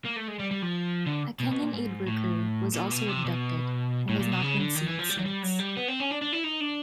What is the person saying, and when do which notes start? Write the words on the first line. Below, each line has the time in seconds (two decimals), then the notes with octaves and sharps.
A Kenyan aide worker was also abducted, and has not been seen since.
0.05 A#3
0.17 A3
0.28 G#3
0.39 G3
0.51 G3
0.62 F3
1.07 D3
1.40 B2
1.51 B2
1.63 A#2
1.73 G#2
2.07 A2
2.74 A#2
2.91 B2
3.08 C3
3.25 B2
4.09 A2
4.19 A#2
4.32 B2
4.42 C#3
4.60 D3
4.76 D#3
4.87 E3
4.99 F3
5.10 G3
5.18 F#3
5.26 G3
5.43 F#3
5.60 G3
5.77 B3
5.88 C4
6.00 C#4
6.11 D4
6.22 D4
6.33 E4
6.44 D#4
6.61 D4